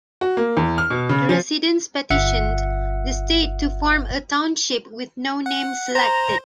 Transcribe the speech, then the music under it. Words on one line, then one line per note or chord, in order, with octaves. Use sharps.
The residents petitioned the state to form a township with no name selected.
F#4
A#3
E2
F6
B2
C#3
F3
G1 F4 E5 F#5 C#7
F#5
C5 A#5